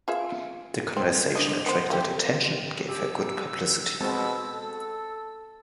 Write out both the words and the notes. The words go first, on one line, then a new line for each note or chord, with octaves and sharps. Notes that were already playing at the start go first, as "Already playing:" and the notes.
The conversion attracted attention and gave her good publicity.
F4 G#4 E5
C4
D4 D#5
B3 C5
A3 C4 G4
G4 E6
B2 G#3 C4 A5
A4